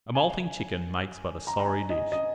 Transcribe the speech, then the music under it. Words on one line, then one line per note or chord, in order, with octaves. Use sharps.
A moulting chicken makes but a sorry dish.
G#5
A#5
A#5
G#5
D#5
D#5